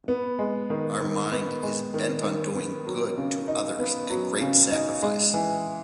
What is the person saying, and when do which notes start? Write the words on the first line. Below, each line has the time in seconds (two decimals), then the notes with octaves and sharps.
Our mind is bent on doing good to others at great sacrifice.
0.08 B3
0.39 G#3
0.70 D#3
1.01 D#3
1.32 B3
1.63 G#3
1.94 D#3
2.24 D#3
2.55 B3
2.87 F#3
3.17 C#3
3.48 D#4
3.79 B3
4.10 F#3
4.41 C#3
4.71 D#4
5.02 G#3
5.34 E3